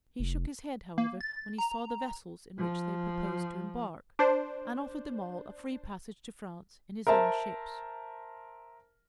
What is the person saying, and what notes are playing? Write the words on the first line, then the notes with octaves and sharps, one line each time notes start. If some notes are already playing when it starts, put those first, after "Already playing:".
He shook his head, however, when he saw the vessels in which they proposed to embark, and offered them all a free passage to France in his own ships.
F1
A#3
A6
A#5
F3
D4 C5
A#4 C5 E5 A5